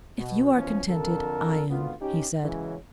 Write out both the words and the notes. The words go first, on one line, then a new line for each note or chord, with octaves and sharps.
'If you are contented, I am,' he said.
B2
B2 E3 F3 B3 C#4
F2 D3 A4 A#4
G#1 D2 B3 F4
C#4 D#4 G4
C#3 E3 F#3 G#3 C#4